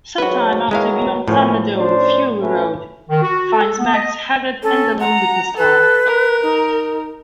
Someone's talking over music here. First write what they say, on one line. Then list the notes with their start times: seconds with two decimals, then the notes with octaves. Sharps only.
Sometime after "Beyond Thunderdome", "Fury Road" finds Max haggard and alone with his car.
0.18 G#1 F#3 F#4 B4
0.71 B2 D#3 F#3 G#3 E4 F5
1.28 F#2 A2 E3 F3 C#4
1.77 C#4 D4 C5
2.41 A3 C#4 B4
3.09 D#3
3.22 F#4
3.52 A4
3.78 B3
3.94 D#5
4.63 C#4 A4
5.00 F#5 A#5
5.57 A4 B4
6.06 A#4
6.43 D#4